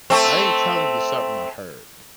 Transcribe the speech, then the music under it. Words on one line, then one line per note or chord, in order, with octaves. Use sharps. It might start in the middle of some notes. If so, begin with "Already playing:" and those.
I ain't telling you something I heard,
A3 C4